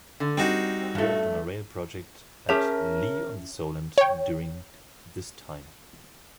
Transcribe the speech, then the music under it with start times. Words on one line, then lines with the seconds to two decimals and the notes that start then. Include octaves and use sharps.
He worked on a rail project at Lee-on-the-Solent during this time.
0.20 D3
0.38 G3 C4 D#4 F#4
0.95 G2 A3
2.49 C#4 G#4 A#4 C#5 E5 A5 F7
3.98 C#5 G5